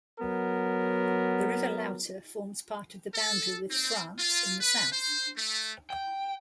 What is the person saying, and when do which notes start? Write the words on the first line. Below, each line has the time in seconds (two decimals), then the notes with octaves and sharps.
The river Lauter forms part of the boundary with France in the south.
0.20 F#3 B3 A#4
3.14 A4
3.70 C4
4.19 F4
4.60 B4
4.92 C5
5.37 A3
5.90 G5